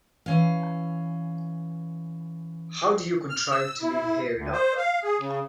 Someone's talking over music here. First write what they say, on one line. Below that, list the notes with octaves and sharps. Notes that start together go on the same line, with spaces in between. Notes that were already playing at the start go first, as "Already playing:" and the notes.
How do you contrive to live here without them?
E3 C#4 F5
F6
E6
E4
D2
C5
F5
G#4
C#3